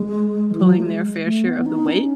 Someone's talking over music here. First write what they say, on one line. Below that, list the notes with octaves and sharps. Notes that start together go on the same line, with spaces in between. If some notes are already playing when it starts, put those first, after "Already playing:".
pulling their fair share of the weight
Already playing: G#3
E3
F#3
A3
G#3
A3
B3
D#4
C#4